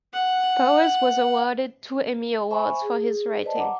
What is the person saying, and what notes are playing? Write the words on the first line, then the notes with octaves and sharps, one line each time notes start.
Powers was awarded two Emmy Awards for his writing.
F#5
C5 E5 G#5 B5 C#6
G#4
B4 C5 D5 D#5 A5
F#5 A#5 D6